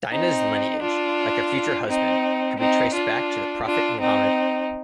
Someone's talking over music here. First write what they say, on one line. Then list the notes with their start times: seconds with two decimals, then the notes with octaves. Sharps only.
Dina's lineage, like her future husband, could be traced back to the Prophet Muhammad.
0.11 C4 D#4
0.81 D4 F4
1.88 C4 D#4
2.58 C4 D#4
2.94 D4 F4
3.65 D4 F4
4.00 C4 D#4